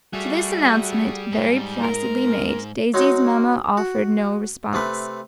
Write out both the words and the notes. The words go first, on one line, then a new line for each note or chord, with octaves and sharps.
To this announcement, very placidly made, Daisy's mamma offered no response.
G3 A3 F#4 G#4
G#2
A#4
F#3 G#3 C#4 D#4 F#4
F#4
C3 A3 B4